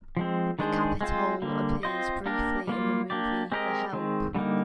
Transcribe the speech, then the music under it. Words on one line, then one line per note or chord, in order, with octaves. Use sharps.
The Capitol appears briefly in the movie "The Help".
F3 G#3 C4
D#3 G#3 D4 G#4 C5
G#3 C4 F4 C5
D3 G3 A#3
C4 F4 C5 D#5
A#3 D4 G4 A#4
G3 A#3 F4
A#3 D4 G4 D5
G#3 C4 G4 A#4 D#5
D#3 G#3 C4
D3 G3 A#3 D#4